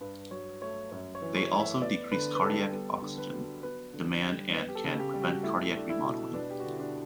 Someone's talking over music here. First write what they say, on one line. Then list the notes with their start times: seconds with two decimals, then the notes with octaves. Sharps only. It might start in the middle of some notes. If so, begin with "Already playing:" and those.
They also decrease cardiac oxygen demand and can prevent cardiac remodeling.
0.01 G2 B4
0.31 F#3 C#5
0.62 A3 C#5
0.92 F#2 C#5
1.15 C#5
1.22 E3
1.37 C#5
1.52 A3
1.60 E5
1.81 B3 D5
2.12 D3 B4
2.35 B4
2.42 G3 A4
2.72 B3 A4
3.02 D3
3.18 B4
3.33 F#3
3.63 B3 B4
3.93 D3
4.24 G3
4.53 B3 B4
4.68 G4
4.75 A4
4.84 C#3
4.99 G4
5.14 G3
5.22 F#4
5.43 A3 E4
5.73 A3 D4
5.90 E4
6.04 B2
6.34 B3 D4
6.50 G4
6.60 F#4
6.64 D3
6.70 E4
6.80 D4